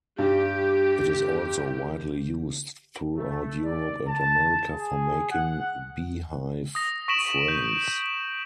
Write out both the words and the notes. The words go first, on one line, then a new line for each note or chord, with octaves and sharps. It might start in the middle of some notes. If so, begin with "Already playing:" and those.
It is also widely used throughout Europe and America for making beehive frames.
G2 G4
A3
D5
A5
G#4
F#5
D#6 A#6
C#6 A#6 B6 D7 E7 F#7
G6